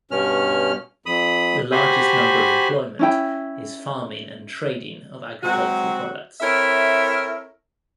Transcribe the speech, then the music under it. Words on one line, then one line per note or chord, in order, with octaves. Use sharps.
The largest number of employment is farming and trading of agricultural products.
G2 B2 C#4 F6
F2 B5 D#6
F#4 G4 C5 G#5 B5
C#4 E4 G5
F#3 G#3 C4 F#4
C4 E4 A4 A#4 C#5 E5